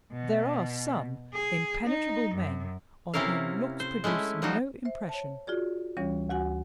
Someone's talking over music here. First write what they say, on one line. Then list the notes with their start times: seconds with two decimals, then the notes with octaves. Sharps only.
There are some impenetrable men on whom looks produce no impression.
0.12 B2
1.34 G#4
1.86 D#4
2.35 F#2
3.14 C3 C#4 E4 A#4 F5
3.80 C5
4.04 G#3 A3 C#4 E4
4.42 F3 G3 D#4 F#4
4.85 C5 E5
5.09 C#5 A5
5.47 F4 F#4 G#4 D5
5.97 D2 E3 G3 C#4 C#5
6.30 D2 F#4 F#5 G#5